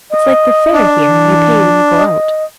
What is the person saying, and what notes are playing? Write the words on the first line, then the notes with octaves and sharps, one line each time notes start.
It's like the fair here, you pay when you go out.
D#5
D4
E3
D#5